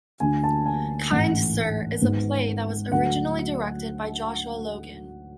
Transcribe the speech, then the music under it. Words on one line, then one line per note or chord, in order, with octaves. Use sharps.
Kind Sir is a play that was originally directed by Joshua Logan.
D2 D3 A3 G#5
A5
G#5
A1 G#2 E3 A3 F#5
G#1 G#2 G#3 B3
D2 D3 F#3 A3 F#5